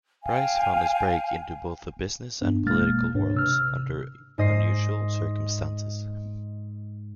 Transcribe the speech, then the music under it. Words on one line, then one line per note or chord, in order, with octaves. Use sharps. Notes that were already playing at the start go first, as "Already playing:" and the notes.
Brice found his break into both the business and political worlds under unusual circumstances.
F5 G5 G#5
G2 B3 D4
G#1 B2 G#3 A#3 F6 A6
A1 G#2 D4 B4 C#5
C3 E6 F6
G#2 D#5 C7